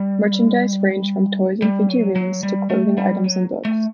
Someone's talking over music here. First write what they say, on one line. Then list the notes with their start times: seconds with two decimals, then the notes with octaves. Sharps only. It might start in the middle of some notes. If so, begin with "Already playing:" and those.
Merchandise ranged from toys and figurines to clothing items and books.
Already playing: G3
1.62 G3
1.89 F#3
2.16 F#3
2.43 G3
2.70 A3
2.98 G3
3.24 F#3
3.65 A3